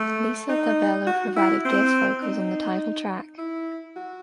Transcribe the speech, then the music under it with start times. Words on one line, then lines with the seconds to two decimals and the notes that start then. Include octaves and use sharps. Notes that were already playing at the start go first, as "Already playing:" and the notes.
Lisa Dalbello provided guest vocals on the title track.
Already playing: A3
0.49 D#4
1.07 F#4
1.36 E4
1.65 C4
2.23 D#4
3.38 E4
3.96 F#4